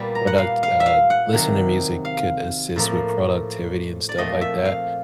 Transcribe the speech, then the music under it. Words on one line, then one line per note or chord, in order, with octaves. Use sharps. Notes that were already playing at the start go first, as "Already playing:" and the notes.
product uh, listen to music could assist with productivity and stuff like that,
Already playing: A#2 G3 B3
A#5
F#5
F5
F5
E5
F5
F#5
C3 D#3 F#3
F5
A2 F3 A#3
D5
A#2 F3 A3 C4 D#5
E5
F5